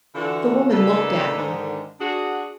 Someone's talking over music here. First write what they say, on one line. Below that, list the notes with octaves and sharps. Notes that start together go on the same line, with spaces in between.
The woman looked at me.
D3 E3 D4 F4 F#4 A4
C#3 A#3 D4 D#4 A4 B4
G#2 D3 D#3
D4 F#4 G#4